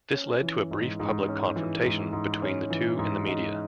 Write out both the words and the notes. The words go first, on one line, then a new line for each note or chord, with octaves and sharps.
This led to a brief public confrontation between the two in the media.
C#4
E3
G#2
G#2
C#4
E3
G#2
G#2
C#4
E3
G#2
G#2